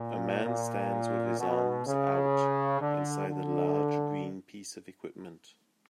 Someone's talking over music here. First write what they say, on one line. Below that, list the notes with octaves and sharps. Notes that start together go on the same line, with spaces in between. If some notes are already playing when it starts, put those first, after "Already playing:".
A man stands with his arms out inside a large green piece of equipment.
Already playing: A#2
A#2
B2
C#3
D3
D3